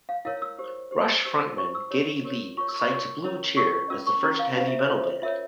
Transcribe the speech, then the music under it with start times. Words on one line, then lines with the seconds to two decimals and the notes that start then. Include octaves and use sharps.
Rush frontman Geddy Lee cites Blue Cheer as the first heavy metal band.
0.09 F5
0.25 E4 A#4 C#5 F5
0.42 E6
0.59 G4 C5
0.91 G4 C5
1.25 E4 G4 C5 E6
1.58 E4 G4 C5 C#6
1.75 E6
1.91 G4 A#4 C#5
2.25 G4 A#4 C#5
2.57 F4 A#4 C#5 C#6
2.68 E6
2.80 C#6
2.90 F4 A#4 C#5 C6
3.24 C#4 E4 A#4 C#5
3.56 C#4 E4 A#4 C#5 C#6
3.90 C#4 F4 A#4 E6
4.07 C#6
4.23 C#4 F4 A#4 A#5
4.39 F5
4.56 F4 C5 F5
4.68 E5
4.79 C#5
4.90 F4 C5
5.22 F4 A#4 C#5 E5